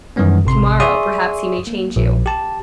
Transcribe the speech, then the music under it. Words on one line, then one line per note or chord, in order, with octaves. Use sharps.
To-morrow, perhaps, he may change you.
F#2 D#3 E3 G3 B3 C#4
A1 C3 C6
G#4 D5 E5 C6 C#6 D#6
A#3
A#1
G4 A5